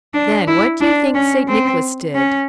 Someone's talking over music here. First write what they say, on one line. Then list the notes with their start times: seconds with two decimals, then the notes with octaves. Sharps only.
Then what do you think St. Nicholas did?
0.14 D4
0.48 E4
0.80 D4
1.15 C#4
1.48 C4
2.15 C#4